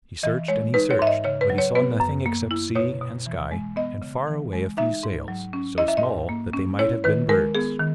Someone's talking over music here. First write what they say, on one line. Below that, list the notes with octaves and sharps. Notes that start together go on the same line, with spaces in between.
He searched and he searched, but he saw nothing except sea and sky and far away a few sails, so small that they might have been birds.
E3 D#5
G#3 C#5
D#4 B4
C#5
G#2 E5
D#5
C#3 C#5
B4
F#3
C#5
B3 B4
F#2
A#3
E4
B2 C#5
B2
E3
G#3
B3 D#5
C#3
E3
G#3
D#4 E5
G#2
F#3
C#4
E4 D#5
E5
D#5
G#2
A#3
C#4
E4 C#5
D#3 B4
G#3 A#4
B3 G#4
D#3